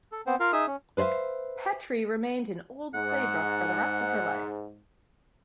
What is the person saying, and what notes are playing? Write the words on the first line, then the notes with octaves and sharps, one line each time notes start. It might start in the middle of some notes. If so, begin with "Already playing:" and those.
Petry remained in Old Saybrook for the rest of her life.
A4
B3 C4 C5
F4 A#4 F5
D#4 G#4 E5 D#6 E6
C#4
B4 C5 D5 E5 F5
G#2 F#5